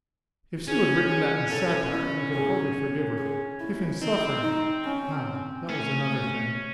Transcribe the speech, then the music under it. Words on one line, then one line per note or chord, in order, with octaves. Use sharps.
If Sue had written that in satire, he could hardly forgive her; if in suffering--ah, that was another thing!
C#4 G#4
G#4
A4
E4
G#4
G#4
E4
C4 D#4
D#4
C#4
A3 C#4
A3